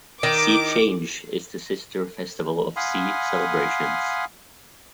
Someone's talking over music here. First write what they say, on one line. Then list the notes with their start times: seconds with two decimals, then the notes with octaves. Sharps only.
See Change is the sister festival of See Celebrations.
0.23 D#3 D6
2.76 F5 F#5 G#5 B5 C6 D#6